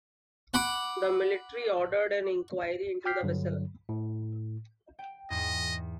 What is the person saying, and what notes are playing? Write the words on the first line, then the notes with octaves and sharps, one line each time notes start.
The Military ordered an inquiry into the vessel.
F#5 B5 D6
G5 D6 F6 G6 B6 C7
G2 D3 F#3
A2
G5
E2 G#2 D#5